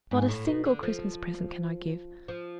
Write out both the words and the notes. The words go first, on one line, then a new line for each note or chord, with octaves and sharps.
Not a single Christmas present can I give.
G#2
A2
B2
D3
F3
F3